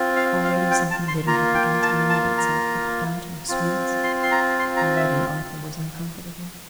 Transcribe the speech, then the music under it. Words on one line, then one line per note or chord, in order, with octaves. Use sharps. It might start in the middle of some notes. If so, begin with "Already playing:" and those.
But already something bitter had begun to mingle itself with the fountain of sweets: already Arthur was uncomfortable.
Already playing: C4 F4
F5
F5
G5
A5
C6
A#3 F4 A#5
G5
A5
A5
A#5
C4 F4
C6
C6
A#5
C6
A#5
E5